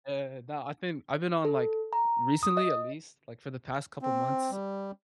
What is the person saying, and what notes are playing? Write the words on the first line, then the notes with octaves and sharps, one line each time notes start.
Eh, no, I've been I've been on, like recently at least, like, for the past couple months,
A4
A#5
D#6
D#5
C4
G3